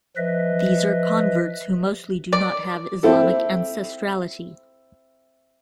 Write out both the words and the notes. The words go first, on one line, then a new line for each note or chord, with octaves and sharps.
These are converts who mostly do not have Islamic ancestrality.
F3 B4 D#5 E5
D5
C4 E4 A4